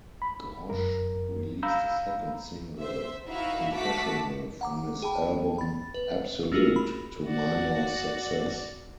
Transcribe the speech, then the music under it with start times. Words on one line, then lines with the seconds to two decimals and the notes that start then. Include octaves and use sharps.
Grosch released a second single "Confessional" from his album "Absolute" to minor success.
0.22 B5
0.70 F#2 A#4
1.63 F5 A#5 B5 E6 G6
2.79 C5 E5
3.27 D#4 E4 F#4 E5 F5
3.73 A3 F#4 A5 D6 B6
4.61 F#5 A#5 D6
5.02 G#4 G5 A5 B5
5.58 B5 A6
5.94 B4
6.52 A3 A#3 F4 F#4 G#4 A#4
6.76 B5
7.26 F#4 D5